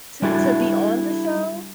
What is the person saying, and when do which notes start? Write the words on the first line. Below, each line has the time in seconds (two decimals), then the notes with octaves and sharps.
To to be on the show?
0.22 G3 D4 E4 F#4 A4